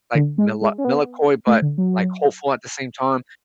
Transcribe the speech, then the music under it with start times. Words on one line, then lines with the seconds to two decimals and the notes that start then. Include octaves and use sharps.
it's, like, mela melancholy, but, like, hopeful at the same time,
0.15 D3
0.38 G#3
0.61 G#3
0.78 C#4
0.85 B3
1.47 A3
1.62 D3
1.78 F#3